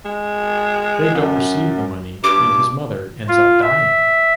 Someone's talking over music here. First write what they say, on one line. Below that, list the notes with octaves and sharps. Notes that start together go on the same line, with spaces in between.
They don’t receive the money and his mother ends up dying.
G#3
F#2
G2 D6
F4
E5